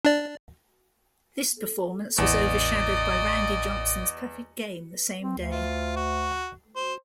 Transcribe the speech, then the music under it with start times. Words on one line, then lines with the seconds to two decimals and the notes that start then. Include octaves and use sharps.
This performance was overshadowed by Randy Johnson's perfect game the same day.
0.05 D4 D5
2.18 A1 E2 D5 D#5
5.22 C4
5.38 D2
5.51 F4
5.97 F#4
6.76 C5